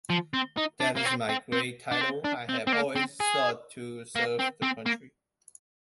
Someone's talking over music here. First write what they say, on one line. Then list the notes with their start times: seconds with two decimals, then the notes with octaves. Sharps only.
That is my great title: I have always sought to serve the country.
0.10 F3
0.34 C4
0.58 D#4
0.81 D4
0.97 A#3
1.06 C4
1.29 C4
1.52 C4
1.91 D4
2.01 C4
2.24 D4
2.49 C4
2.67 C4
2.73 A#3
2.96 C4
3.20 G#4
4.15 A#3
4.40 C4
4.63 C4
4.86 A#3